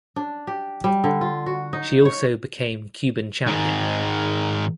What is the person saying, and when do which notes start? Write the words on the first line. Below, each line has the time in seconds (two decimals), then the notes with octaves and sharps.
She also became Cuban champion.
0.16 D4
0.47 G4
0.84 G3
1.04 D3
1.21 F4
1.46 F#4
1.73 D#4
2.05 C#5
3.46 G#2 D#3